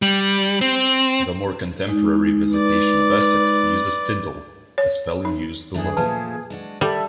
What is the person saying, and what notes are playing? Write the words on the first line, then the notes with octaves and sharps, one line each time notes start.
The more contemporary 'Visitation of Essex' uses 'Tyndall', a spelling used below.
G3
C4
G#3 D#4
B4 D5
C#5
D#4
F#2 A3 D4 G#4
A#2 F3 A3 B4 A5
G#3 D4 F#4
G3 A4 E5